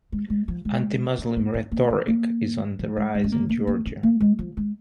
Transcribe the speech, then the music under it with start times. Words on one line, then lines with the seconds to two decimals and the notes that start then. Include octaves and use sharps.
Anti-Muslim rhetoric is on the rise in Georgia.
0.12 G#3
0.30 G#3
0.48 F3
0.65 G#3
1.18 C#4
1.37 A#3
1.54 C#4
1.72 A#3
1.90 C#4
2.08 A#3
2.79 F3
2.97 G#3
3.15 G#3
3.24 C#4
3.32 A#3
3.49 A#3
3.67 A#3
3.86 C#4
4.03 A#3
4.20 G#3
4.39 F3
4.57 G#3